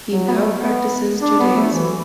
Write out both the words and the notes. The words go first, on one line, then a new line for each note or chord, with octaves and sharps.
He now practices Judaism.
F#3
B3
A3
B3
D4
B3
A3
E3